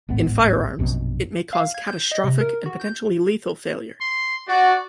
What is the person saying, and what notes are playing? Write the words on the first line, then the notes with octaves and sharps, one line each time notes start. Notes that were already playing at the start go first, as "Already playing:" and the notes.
In firearms, it may cause catastrophic and potentially lethal failure.
D#1 A1 G#2 B3
A#1 F#2 B2
F5
G#6
G6
D#5
C3
A#4
F#4
G6
C6
F#4 D5